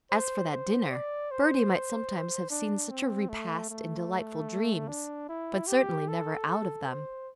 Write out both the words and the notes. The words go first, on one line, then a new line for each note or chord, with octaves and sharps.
As for that dinner--Bertie might sometimes have seen such a repast in delightful dreams, but certainly never out of them.
C5
C5
D5
C5
D4
C4
A3
A3
D4
E4
G4
A4
A4
C5